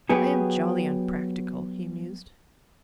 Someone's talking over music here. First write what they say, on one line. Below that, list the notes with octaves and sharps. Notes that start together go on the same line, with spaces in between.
"I am jolly unpractical," he mused.
F#3 B3 G4 G#4